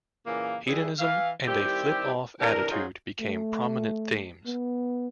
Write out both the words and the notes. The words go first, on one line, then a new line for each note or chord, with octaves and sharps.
Hedonism and a flip-off attitude became prominent themes.
A#2 C#3 E3 A#3
E3 G3 E4 G#4
E3 F5
D#3 G3 C4 E4 G4
C3 E3 D4 A#4
G#2 F#3 D#4 F4 F#4 G#4
A3
B3